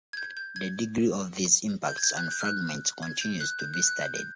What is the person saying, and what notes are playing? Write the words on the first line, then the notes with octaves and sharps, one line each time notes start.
The degree of these impacts on fragments continues to be studied.
G#6
G6
G6
G#6
G6
G#6
G6
F#6
G6
F6
F#6
G#6
G6
F#6
G6
F#6
F#6
G6
G6